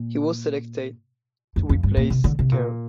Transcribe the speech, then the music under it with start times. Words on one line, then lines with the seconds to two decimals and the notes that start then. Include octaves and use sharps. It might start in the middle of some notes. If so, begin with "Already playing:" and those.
He was selected to replace Kher.
Already playing: A#2
1.56 F2
1.69 F2
1.83 G2
1.97 A#2
2.10 C3
2.24 D3
2.39 C3
2.52 A#2